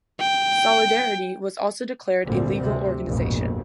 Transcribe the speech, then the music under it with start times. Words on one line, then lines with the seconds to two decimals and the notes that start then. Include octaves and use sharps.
Solidarity was also declared a legal organization.
0.20 G5
2.26 G#1 D2 A#2 D3 G3 C4
2.61 D2 C3
3.05 F1 A#1 F2 G#2 B2